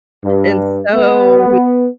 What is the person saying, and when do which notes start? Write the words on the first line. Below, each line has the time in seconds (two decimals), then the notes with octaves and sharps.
and so he
0.23 G2
0.95 B3